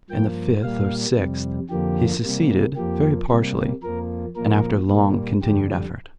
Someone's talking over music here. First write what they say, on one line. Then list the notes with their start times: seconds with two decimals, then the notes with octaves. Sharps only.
In the fifth or sixth he succeeded very partially, and after long continued effort.
0.10 G2 F3 A#3 G5
0.63 A#2 G3 A#3 F5
1.16 F2 C3 G3
1.70 F2 D3 F3 A#3 G4
2.22 C3 G3 A#3
2.76 F2 F3 A#3 G4
3.30 C3 G3 A#3
3.83 F2 F3 A#3 A#4
4.36 A#2 F3 A#3 A#4
4.89 A#2 G3 A#3
5.42 F2 D3 G3 G4